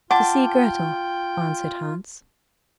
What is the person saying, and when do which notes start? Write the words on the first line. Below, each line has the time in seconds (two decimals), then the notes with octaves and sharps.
'To see Grettel,' answered Hans.
0.11 F4 F#5 G5 A5 C6 D6